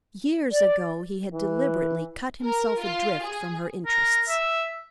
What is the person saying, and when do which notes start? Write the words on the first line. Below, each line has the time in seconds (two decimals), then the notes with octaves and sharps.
Years ago he had deliberately cut himself adrift from her interests.
0.51 D5
1.34 E3
2.43 A#4
2.80 F4
3.22 G#4
3.86 A#4
4.28 E5